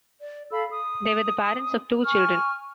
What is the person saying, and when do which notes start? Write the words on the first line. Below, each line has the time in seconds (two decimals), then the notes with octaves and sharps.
They were the parents of two children.
0.20 D5
0.51 A4 F5 B5 E6
0.71 D#6
2.05 G#5 C#6 F6